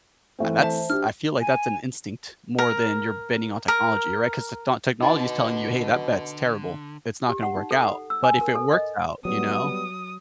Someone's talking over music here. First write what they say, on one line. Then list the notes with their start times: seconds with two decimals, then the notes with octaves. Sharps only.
a that's I feel like that's an instinct more than you're betting on technology, right? 'Cause the techno technology's telling you, "Hey, that bet's terrible. It's not gonna work out. But if it works out" you know?
0.39 E3 A3 C4
0.62 C5 E5 A5
0.90 D4 G4 F6
1.41 G#5
2.59 A#4
3.68 A#4
5.02 B2 D3 D#4 D#5 A5
7.29 G4
7.43 F#5
7.56 D#4
7.71 A4
7.84 F#5
8.10 E6
8.24 G#5
8.41 A#4
8.55 A4
8.73 D#5
9.25 F#3 G3 B3 D#6